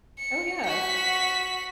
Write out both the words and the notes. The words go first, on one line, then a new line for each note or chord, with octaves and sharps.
Oh, yeah.
C#7
F#4 B6